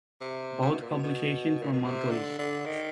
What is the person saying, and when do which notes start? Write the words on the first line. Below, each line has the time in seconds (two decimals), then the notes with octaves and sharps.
Both publications were monthlies.
0.21 C3
0.62 C3
0.71 B2
0.80 A#2
0.90 B2
1.03 B2
1.62 A#2
1.73 B2
1.84 C3
2.11 D3
2.38 D3
2.66 D#3